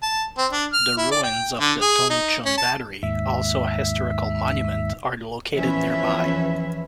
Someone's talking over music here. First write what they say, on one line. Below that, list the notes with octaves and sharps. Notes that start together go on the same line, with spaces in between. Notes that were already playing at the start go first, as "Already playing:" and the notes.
The ruins of the Tung Chung Battery, also a historical monument, are located nearby.
A5
C4
D4
F6
E4
D5
G5
D3
G#4
D#4
C#4
A5
D#2 G#2 E5
E2 E3 F3 C#4 B4 E5